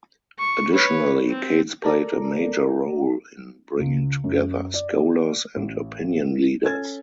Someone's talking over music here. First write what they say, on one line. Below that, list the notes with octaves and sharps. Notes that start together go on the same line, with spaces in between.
Additionally, Kates played a major role in bringing together scholars and opinion leaders.
C#6
B4 C#5
C4
A4 A#4 D5 A#5
C#2
F#2
D5
A1
C#4 A4 G#6 A6